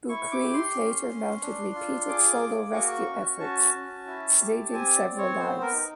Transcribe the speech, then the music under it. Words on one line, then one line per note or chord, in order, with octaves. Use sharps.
Boukreev later mounted repeated solo rescue efforts, saving several lives.
E4 C#6
D6
G4
C6
C#4
C#4
D4
F4
G#4 D6
A#3
F#4 C#6
C#4
F#4 A5
C#4
E4
G4
C4 G#5
D5
C4
C#5
B3 C5
A#4
D#4